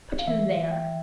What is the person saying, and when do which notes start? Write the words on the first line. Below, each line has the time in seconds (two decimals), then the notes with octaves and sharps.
"Put him there."
0.19 F5
0.27 E3 E5
0.56 E3
0.71 G5